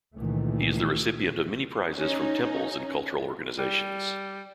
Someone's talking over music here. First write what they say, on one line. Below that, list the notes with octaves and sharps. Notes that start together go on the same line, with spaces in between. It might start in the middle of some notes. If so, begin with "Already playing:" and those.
He is the recipient of many prizes from temples and cultural organisations.
C#2 A#2 D#3 E3 A3
C#4 D#4
G3